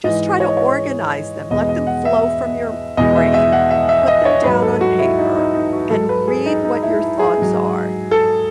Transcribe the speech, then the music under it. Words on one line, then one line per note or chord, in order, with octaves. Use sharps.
Just try to organize them, let them flow from your brain, put them down on paper, and read what your thoughts are,
G#2 E3 G#3 D#5
C#5
D#5
C#5
E2 B2 G#3 D#5
D#5
F#5
E5
E2 B2 G#3 D#5
E5
E5
F#5
E5
E5
D#5
C#5
G#2 F#3 B4
A4
F#4
E4
D#4
D#4
D#4
F#4
G#2 F#3 A4
B4
G#4
D#4
D#4
E4
G#4
G#2 F#3
A4